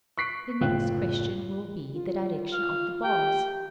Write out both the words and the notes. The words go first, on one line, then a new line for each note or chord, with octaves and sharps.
The next question will be the direction of the bars.
C#6 F#6 B6 C7 D7
F#1 A2 F3 F4 G5 F#6
F4
F5
G4 G5